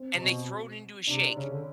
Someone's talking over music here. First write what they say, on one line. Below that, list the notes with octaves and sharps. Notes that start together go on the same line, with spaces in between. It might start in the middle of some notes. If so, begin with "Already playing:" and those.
and they throw it into a shake.
Already playing: C4
C3
B2
C3 D4
C#3 C#4
D3